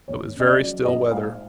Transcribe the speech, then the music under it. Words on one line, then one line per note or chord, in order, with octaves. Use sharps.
It was very still weather.
D#2 C#5
C#3
D#5
D5
F#3
A#1 D#5
G#2 F5